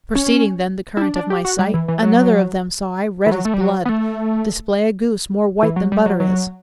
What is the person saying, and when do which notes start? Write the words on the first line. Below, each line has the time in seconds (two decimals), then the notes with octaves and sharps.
Proceeding then the current of my sight, Another of them saw I, red as blood, Display a goose more white than butter is.
0.15 C#4
0.97 E4
1.02 D4
1.16 D4
1.30 G4
1.45 F#4
1.59 G3
1.74 E3
1.88 E3
2.03 F#3
3.26 E3
3.32 F#3
3.45 A3
3.54 G3
3.61 F#3
3.85 B3
3.89 A3
5.63 E3
5.76 F#3
5.92 G3
6.06 F#3
6.20 F#3